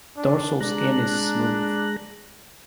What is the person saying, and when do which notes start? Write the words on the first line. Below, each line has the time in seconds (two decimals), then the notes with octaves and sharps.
Dorsal skin is smooth.
0.17 D4
0.61 G#3 D4 A#5 F#6